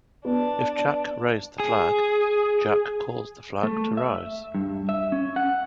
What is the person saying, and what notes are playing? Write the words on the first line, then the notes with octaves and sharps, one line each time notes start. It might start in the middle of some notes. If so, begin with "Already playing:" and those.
If Jack raised the flag, Jack caused the flag to rise.
B3 D4
G#4
A3
E5
G2
E5
C#4
F#5